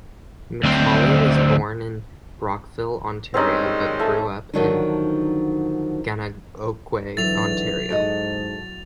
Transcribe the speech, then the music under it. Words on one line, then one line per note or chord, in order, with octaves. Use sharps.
McCauley was born in Brockville, Ontario, but grew up in Gananoque, Ontario.
D2 C4
D#3 G3 G#3 C4 C#4 D#4
A4 E5
D3 D#3 F3 F#3 D4 D#4
G#2 D3 E3 F#3 E4 A6 F7
G#2 F#4 A4 D#5